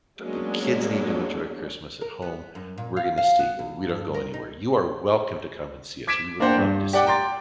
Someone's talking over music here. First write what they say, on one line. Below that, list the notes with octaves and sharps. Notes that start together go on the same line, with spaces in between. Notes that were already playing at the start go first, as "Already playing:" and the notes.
but the kids need to enjoy Christmas at home. We're gonna stay here, we don't go anywhere, you are welcome to come and see us, we would love to see you,
F#3 G#3 A#3 B3 C#4 D4
A#4
B3
F#2
A#2
F5
F5
B3
E2
G2
A#4
D#4
D6 G#6 B6 D7 E7
A#3 D4 A#4 C5 F#5 G5
G2
G4 D5 F#5 G5 D6
G5 A#5 C6 A6